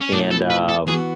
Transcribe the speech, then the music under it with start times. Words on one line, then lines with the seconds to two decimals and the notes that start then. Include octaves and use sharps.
and, um,
0.01 C#4
0.12 B2 A3 D4 E4 G#4
0.31 A4
0.50 B4
0.69 A4
0.87 E3 B3 F#4 G#4